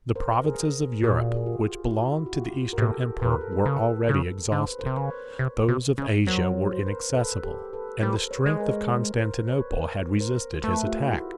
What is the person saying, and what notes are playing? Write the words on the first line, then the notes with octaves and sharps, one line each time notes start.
The provinces of Europe which belonged to the Eastern emperor, were already exhausted; those of Asia were inaccessible; and the strength of Constantinople had resisted his attack.
A#4 C5
G#4 A#4
A#2 F#4 G#4
G#4
F4 G4
E4 F#4
F#4
F4 G4
A#4
A2 G4 A4
A#2 B4
A#4
A4
G#4 A#4
C#3 A4 B4
C#3
D3 C5
B4
A#4 C5
C3
C#3 B4 C#5
C3
C3
C#3
F#3 A#4 C5
C5
B4
A#4 C5
A4 B4
G4 A4
A4 B4
G3 A#4 C5
B4 C#5
G#3
A#4 C5
A#4 C5
A#4 C5
B4 C#5
A#4 C5
A#4 C5
A3 A4 B4
F4 G4
E4 F#4